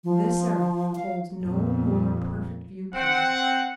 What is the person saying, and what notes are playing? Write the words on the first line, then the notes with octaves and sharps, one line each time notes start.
This earth holds no more perfect view-point.
F3
F5
F2 A#2
C4 F#5